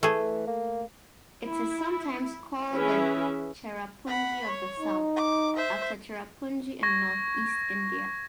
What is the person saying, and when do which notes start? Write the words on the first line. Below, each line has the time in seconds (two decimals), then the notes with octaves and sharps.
It is sometimes called "The Cherrapunji of the South" after Cherrapunji, in Northeast India.
0.03 E3 A3 G#4
0.47 A#3
1.44 E4
2.74 E3 C#4 E4 G#4 B4 E5
4.07 F#5 B5
4.46 C#5
4.80 D#4
5.16 D6
5.56 C5 E5
6.83 C#6 G#6 A#6